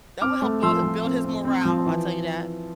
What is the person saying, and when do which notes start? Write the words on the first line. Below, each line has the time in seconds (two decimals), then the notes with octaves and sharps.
That will help build build his morale, I'll tell you that.
0.22 C4 D6 F6
0.42 A3
0.63 F3 C6 E6
0.83 F3
1.05 C4
1.25 C4
1.45 C4
1.65 F3
1.86 E3